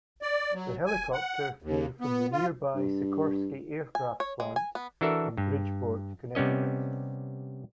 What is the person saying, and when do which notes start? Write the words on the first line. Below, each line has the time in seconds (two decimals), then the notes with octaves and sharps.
The helicopter flew from the nearby Sikorsky Aircraft plant in Bridgeport, Connecticut.
0.22 D5
0.53 F#3
0.86 G#5
1.13 F#5
1.62 D#2
2.01 B3
2.32 F4
2.75 G2
3.95 G#5
4.20 C#5
4.40 G#3
4.56 G#5
4.75 B3
5.01 E3 D4 F#4 A4 A#4 E5
5.37 G2
6.35 C3 G3 B3 C#4 D#5